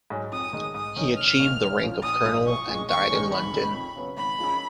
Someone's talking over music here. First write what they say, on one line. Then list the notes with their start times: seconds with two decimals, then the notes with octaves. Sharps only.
He achieved the rank of colonel and died in London.
0.10 G#2 F#3
0.32 F2 D#6
0.53 D#3 G#3 D#4
0.74 G#2 D#6
0.96 D#3 F#3 C#4
1.17 F1 F6
1.39 D#2 D#3 A#3
1.60 F#1
1.82 F#2 F3
2.03 A#1 D#6
2.25 G#2 F3
2.46 B1 C#6
2.67 A#2 G#3
2.88 D#2 C#6
3.10 D#3 G#3 C#4
3.31 G#1 B5
3.53 F#2 D#3 F#3
3.74 F2
3.96 C#3 F#3 B3
4.17 G#1 B5
4.38 F#2 F3 G#3